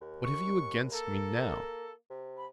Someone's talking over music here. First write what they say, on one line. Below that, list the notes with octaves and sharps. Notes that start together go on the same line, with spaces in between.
What have you against me now?
D#2
C#6
A#3 A4
C3
B5